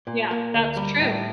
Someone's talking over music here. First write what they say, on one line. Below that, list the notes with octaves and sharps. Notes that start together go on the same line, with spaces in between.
Yeah, that's true.
A#2
A#3
D2
G3
A2